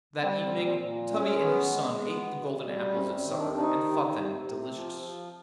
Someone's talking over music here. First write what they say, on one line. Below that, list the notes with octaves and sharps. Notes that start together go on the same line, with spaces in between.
That evening Tubby and his son ate the golden apples at supper, and thought them delicious.
G3 C4
C4
A#2
C4
A#2
G#3 C#4
B3
G#3
B3
B2
G3
C3 C#4
C#4
D#3
D4
D#3 D4
D#4
C3
C3
C3
F3
F3